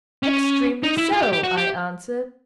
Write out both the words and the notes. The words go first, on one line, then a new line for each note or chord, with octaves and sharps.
'Extremely so,' I answered.
C#4
D#4
E4
F4
G4
G4
F#4
G4